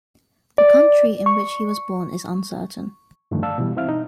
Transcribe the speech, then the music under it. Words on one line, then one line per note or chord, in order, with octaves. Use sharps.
The country in which he was born is uncertain.
D5
C#6
G2 D3 D#3 F3 G3 A3
D5 F5 A5 E6
B2 E3 G3
C4 E4 E5 F5 F6
D#4